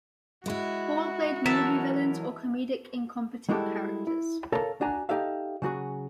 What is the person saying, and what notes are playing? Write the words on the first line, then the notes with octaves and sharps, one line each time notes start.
Hall played movie villains or comedic incompetent characters.
G#3 E4 F#4
E3 F#3 A#4 E5 A5
G3 G#3 E4 F#4 G4 A4
E4
A4 A#4 C#5 F5 A5 A#5
D4 F#4 G#5 A#5
D#4 G4 A4 E5 F5
C#3 F#3 F#4 G#4